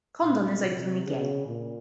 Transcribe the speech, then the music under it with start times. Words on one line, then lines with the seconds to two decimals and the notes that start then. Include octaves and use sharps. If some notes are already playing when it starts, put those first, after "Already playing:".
Condon is openly gay.
0.23 A#2
0.64 C3
1.05 C#3
1.46 A#2